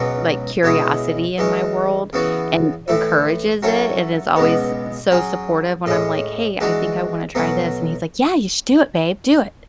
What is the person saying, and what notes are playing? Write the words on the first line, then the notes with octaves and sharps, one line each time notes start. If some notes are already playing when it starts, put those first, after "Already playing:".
like, curiosity in my world and encourages it and is always so supportive when I'm like, "Hey, I think I wanna try this." And he's like, "Yeah. You should do it, babe. Do it."
Already playing: C#2 B2 F#3 C#4
B2 G#3 C#4 E4 G#4
E3 G#3 C#4
C#3 E3 B3 F#4
A2 E3 A3 E4
F#3 C#4 E4 A4 C#5
C#2 B2 G#3 B3
F#3 C#4 G#4
A2 G#3 C#4
E3 G#3 D4 F#4
B2 F#3 A3 C#4